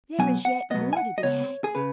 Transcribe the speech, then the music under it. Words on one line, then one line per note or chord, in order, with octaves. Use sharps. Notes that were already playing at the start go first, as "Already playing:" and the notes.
"There is yet more to be had!"
B2 F#3 B3 G#5
F#5
B2 F#3 B3 D#5
G#5
F#5
D#5
C#2 C#3 B3 C#5
G#4
C#3 B4